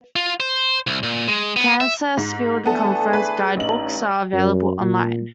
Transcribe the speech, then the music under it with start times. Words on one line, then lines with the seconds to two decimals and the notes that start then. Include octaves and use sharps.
Kansas Field Conference guidebooks are available online.
0.16 F4
0.40 C5
0.87 C2
1.03 A#2
1.28 G#3
1.56 B3
1.81 E5
2.17 G#2
2.66 D3 E3 A3 B3 A4
3.13 G#4 B4
3.57 A1 G2 D#4 F#7
4.33 F#2
4.81 A#2